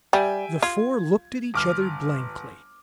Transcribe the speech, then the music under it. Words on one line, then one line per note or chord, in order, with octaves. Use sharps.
The four looked at each other blankly.
G3 E5 G5 G#5
F4 G#6
G1 D6 F6